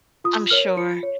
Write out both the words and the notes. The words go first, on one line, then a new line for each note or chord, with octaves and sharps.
I'm sure.
F4 D#6
A#4 C#5 F6
F4 C#7
C#5